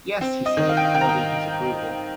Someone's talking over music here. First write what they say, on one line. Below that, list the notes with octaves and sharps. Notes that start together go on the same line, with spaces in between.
"Yes," he said, nodding his approval.
C4
D#5
D#3
F5
G5
F5
D#3 G5
A#5
G5